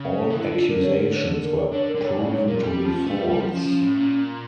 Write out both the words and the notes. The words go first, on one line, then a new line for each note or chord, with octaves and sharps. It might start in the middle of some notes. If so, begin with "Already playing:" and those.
All accusations were proven to be false.
Already playing: C#3
E3
D3 E4
F4
A#4
C#5
A#4
A4
C#5
A4
A#4
D5
D3 C#5
A#4
D3
C#5
C#3 D5
A#2 C#5
A#2 A#4
G3 A4
G4
F3
C#4
A3 D4
G3
F4
G3
F3 E4
F3 C#4
F3
A2
A#2